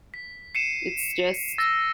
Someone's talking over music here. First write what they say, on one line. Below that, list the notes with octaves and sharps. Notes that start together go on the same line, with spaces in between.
it's just,
B6
C7 C#7 D#7 E7
E6 A6 A#6